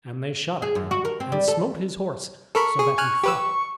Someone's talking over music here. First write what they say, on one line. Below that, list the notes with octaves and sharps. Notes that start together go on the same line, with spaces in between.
And they shot at him and smote his horse so that he fell.
G#4
F#2
F#4
A#4
C4
G3
A4
A4 A#4 B5 C#6
G#4
G#5 F6 F#6
G4 B4 E6